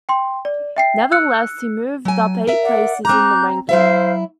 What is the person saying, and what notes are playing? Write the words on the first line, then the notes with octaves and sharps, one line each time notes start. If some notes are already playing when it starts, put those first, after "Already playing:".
Nevertheless, he moved up eight places in the ranking.
G5 C6
D5
E5 G5 C7
E6 F#6 C#7
F#3 G#5
A#4 E5
D5 F#5
C4 A#5 D6 F#6 G6
F#3 E4 C5 E5 F5